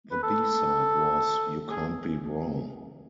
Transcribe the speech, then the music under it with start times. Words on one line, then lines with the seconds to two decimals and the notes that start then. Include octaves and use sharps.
The B-side was "You Can't Be Wrong".
0.12 B4
0.23 A4
1.70 G#4